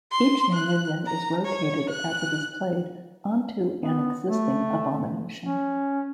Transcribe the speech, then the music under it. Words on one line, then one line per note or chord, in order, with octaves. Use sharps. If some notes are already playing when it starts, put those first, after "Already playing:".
Each new minion is rotated as it is played onto an existing abomination.
C6
F#6
A#5
C#5
F#6
B3
A3
C#4